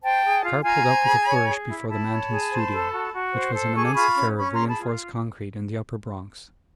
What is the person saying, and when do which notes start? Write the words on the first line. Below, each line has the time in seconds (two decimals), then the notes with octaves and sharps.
The car pulled up with a flourish before the Manton studio, which was an immense affair of reinforced concrete in the upper Bronx.
0.02 C5 G5 A5
0.24 G#4
0.44 F4
0.64 F4 G#5 A#5
0.86 C5
1.06 G#4
1.26 C#5
1.48 G#4
1.68 E4
1.89 E4 A5 B5
2.10 C#5
2.30 G#4
2.51 C5
2.72 A4
2.93 F#4
3.13 F#4
3.34 C5
3.54 A4
3.75 G#4 C#6
3.85 D6
3.94 F4 B5 C#6
4.17 C#4
4.37 C#4 B5 C#6
4.53 A#5 C6
4.58 G#4
4.69 A5 B5
4.78 F4